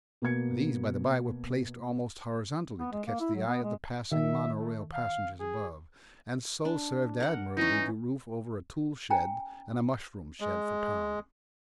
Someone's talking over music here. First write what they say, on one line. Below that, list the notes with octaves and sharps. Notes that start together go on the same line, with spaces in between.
These, by the bye, were placed almost horizontally to catch the eye of the passing mono-rail passengers above, and so served admirably to roof over a tool-shed and a mushroom-shed for Tom.
B2 A#3 B3 G#6 C#7
B3
G#3
A#3
E4
F#3
B3
G#3
D#3 E5
A3
F5
G#4
D4
A#4 F#5
E3 C#4 D#4
C#4 G5 G#5 A#5
G#3